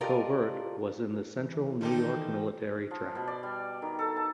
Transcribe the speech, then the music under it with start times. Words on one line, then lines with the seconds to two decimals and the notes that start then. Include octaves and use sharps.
Covert was in the Central New York Military Tract.
0.01 F4 G4 A4 A#4 D5 D#5
1.36 E3
1.81 D#3 F3 G3 C4 D#4 G4 A4
2.91 F3
3.15 B2
3.28 D5
3.43 G3
3.82 D#3
3.99 A4
4.16 A5